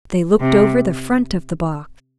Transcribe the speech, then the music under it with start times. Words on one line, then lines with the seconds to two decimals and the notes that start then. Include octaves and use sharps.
They looked over the front of the box.
0.41 C3